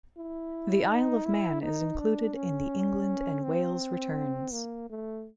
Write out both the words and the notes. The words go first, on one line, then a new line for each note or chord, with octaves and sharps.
The Isle of Man is included in the England and Wales returns.
E4
D#4
E4
D#4
D4
C#4
C4
A#3
A3